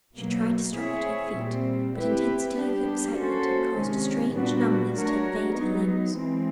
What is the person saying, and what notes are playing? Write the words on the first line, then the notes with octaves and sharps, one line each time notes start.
She tried to struggle to her feet, but intensity of excitement had caused a strange numbness to invade her limbs.
B2 F#3 A#3
C4 E4 G#4 C#5 E5
A#2 G3 C4
C4 E4 G4 B4
G3 B3 D4 G4
A#3 C#4 F#4 A4 C5
C3 D#3 G#3 C#4
A#2 G3 B3 D4 F#4
A3 D4 F#4 A#4 C#5
F#3 B3 D#4
E3 G#3 C4